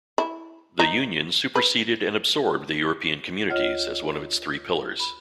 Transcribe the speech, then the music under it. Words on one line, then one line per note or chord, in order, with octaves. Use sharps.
The Union superseded and absorbed the European Communities as one of its three pillars.
E4
D#4
B4
D2 F4 C#5 D#5 F6
B5